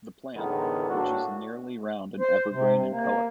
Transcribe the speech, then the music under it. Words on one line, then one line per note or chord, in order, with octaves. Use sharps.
The plant which is nearly round and evergreen in color.
E2 A2 D3 D#3 G#3 B3
A2 A#3 D4 F#4
C5
C3
A#3